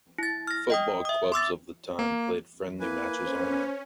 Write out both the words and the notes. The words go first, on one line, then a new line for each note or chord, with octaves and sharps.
Football clubs of the time played friendly matches only.
E4 A6
F6 A#6
D#5 G5 D#6
E5 D#6
C6 D6 E6 A6
A#3
A#3 E4 B4 G#5
C#4 C5